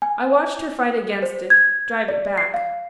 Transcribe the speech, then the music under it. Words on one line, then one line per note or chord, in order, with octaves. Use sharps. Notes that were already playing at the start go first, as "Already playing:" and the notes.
I watched her fight against it, drive it back.
G#5
C5
G#6
D5
C7
F5